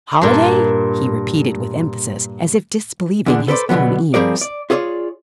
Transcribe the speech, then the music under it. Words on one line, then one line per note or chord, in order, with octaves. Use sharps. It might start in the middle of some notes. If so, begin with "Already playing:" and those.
"Holiday!" he repeated, with emphasis, as if disbelieving his own ears.
G2 A#2
E2 D3 D4
A4 B4 C5 D5
B2 D3 F3 F#3 B3
F3 G3 C4 G#4 A#4 D5
D5
F4 G#4 A4 C#5 D5